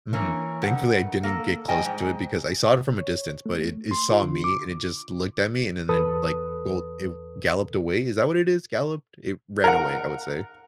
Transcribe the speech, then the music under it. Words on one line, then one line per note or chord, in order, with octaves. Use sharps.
Mhm. Thankfully, I didn't get close to it because I saw it from a distance, but it it saw me and it just looked at me and then it, like, bo it galloped away. Is that what it is? Galloped? It ran away, I would say.
E3 A#3 C#4
G2 D#3 A3 F#5
A#3 A4
F3 G3 D#5 G5 G#5
G#2
C#5
A3
C6
F4
D3
D6
E2 A4 B4 D#6
A#4 F#5